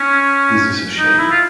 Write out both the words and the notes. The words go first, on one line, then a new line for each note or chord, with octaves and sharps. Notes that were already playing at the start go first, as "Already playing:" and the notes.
This is a shame.
Already playing: C#4
D#4
E4
F4